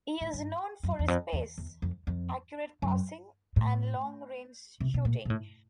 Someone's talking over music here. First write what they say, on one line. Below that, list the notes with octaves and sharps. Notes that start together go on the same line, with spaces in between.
He is known for his pace, accurate passing and long range shooting.
G#2
G2
F#2
E2
F2
E2
E2
F2
F2
F#2
A2
C3
B2
A#2
A#2
A2